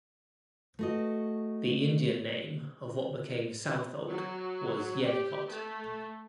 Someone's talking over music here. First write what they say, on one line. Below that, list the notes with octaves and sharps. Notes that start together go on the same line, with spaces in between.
The Indian name of what became Southold was "Yenicott".
A3 F#4 D#5
F#3
G4
A3